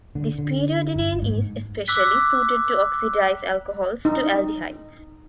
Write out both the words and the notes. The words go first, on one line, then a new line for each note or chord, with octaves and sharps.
This periodinane is especially suited to oxidize alcohols to aldehydes.
D3
D3
G1
G#2
D6 E6 F#6 B6
D#4